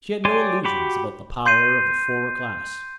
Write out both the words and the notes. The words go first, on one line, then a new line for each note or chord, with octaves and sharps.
She had no illusions about the power of the former class.
G4 C#5 D5 G#5 C6
F#4 G4 B5 D6
C6 G6 C7 D#7